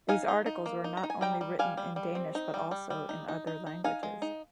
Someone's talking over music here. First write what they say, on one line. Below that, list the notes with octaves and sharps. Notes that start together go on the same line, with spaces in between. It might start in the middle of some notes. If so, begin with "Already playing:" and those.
These articles were not only written in Danish but also in other languages.
D#4 F5 G#5
D#4
D#4
A#3
D#4
A#5
D#4
G#5
G3 G5 A#5
G3
G3 F5 G#5
G3
G3
C4
D#4
G3
G3
G3
D#4
D#4
D#4
D#4
D#4 F5 G#5
G#3
D#4